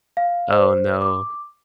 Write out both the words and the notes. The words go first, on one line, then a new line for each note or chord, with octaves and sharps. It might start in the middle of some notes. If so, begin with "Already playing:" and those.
Oh, no.
F5
C5
D6